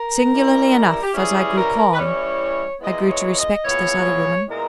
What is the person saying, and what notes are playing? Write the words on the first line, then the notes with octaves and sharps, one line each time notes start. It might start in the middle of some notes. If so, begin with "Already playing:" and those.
Singularly enough, as I grew calm, I grew to respect this other woman.
Already playing: A#4
E3 G3 C#4 E4
E4
G4
E3 G3 C#4 E4 G#4
A#4
B4
E3 G3 C#4 E4 C#5
A#2 G#3 B3 E4 D#5
C#5
D#5
A#2 G#3 B3 E4 C#5
A#2 G#3 B3 E4 A#4